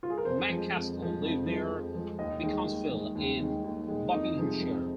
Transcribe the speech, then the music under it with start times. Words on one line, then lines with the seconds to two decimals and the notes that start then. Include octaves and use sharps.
McCaskill lived near Beaconsfield in Buckinghamshire.
0.03 F4
0.10 G#4
0.18 A#4
0.25 F2 C5
0.50 F3 G#3
0.73 F2
0.98 F3 G#3
1.22 F2
1.46 F3 G#3
1.70 F2
1.94 F3 G#3
2.19 D#2 D#5
2.43 D#3 G#3
2.67 D#2
2.91 D#3 G#3
3.15 D#2
3.39 D#3 G#3
3.64 D#2
3.88 D#3 G#3
4.12 F2 D#4
4.36 C3 F3 G#3
4.60 F2